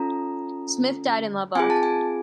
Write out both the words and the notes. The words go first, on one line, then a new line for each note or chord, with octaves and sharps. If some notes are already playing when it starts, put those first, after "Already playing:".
Smith died in Lubbock.
Already playing: C#4 F4 A4 A#5
C4 F4 G#4 G#5
A5
G#5